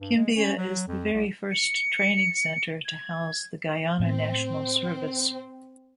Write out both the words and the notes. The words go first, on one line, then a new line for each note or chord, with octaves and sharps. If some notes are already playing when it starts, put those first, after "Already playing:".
Kimbia is the very first training center to house the Guyana National Service.
G2
G#3
C#4
F#3
F2
C2
C#7
G#6
A2 B3 C4